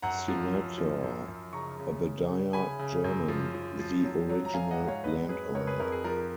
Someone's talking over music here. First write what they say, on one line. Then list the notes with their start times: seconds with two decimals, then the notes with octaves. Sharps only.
Senator Obadiah German, the original land owner.
0.02 F#2 F#5 A#5
0.28 F3
0.54 F#2
0.78 F3
1.03 F#2
1.28 F#2
1.53 C#3 A#5 C#6
1.79 C#3
2.03 C#3
2.29 C#3
2.53 C#3 G#5 B5
2.79 C#3
3.04 F#2
3.28 F3
3.54 F3
3.79 F3
4.04 F#3
4.29 F#3
4.45 A#5
4.54 F#3 F5 G#5
4.71 D#5 F#5
4.79 G#2
4.87 C#5 F5
5.04 F2 B4 D#5
5.29 F#3 G#4 B4
5.55 F2 A#4 C#5
5.67 G#4 B4
5.80 F2 A#4
5.92 G#4
6.04 F3 A#4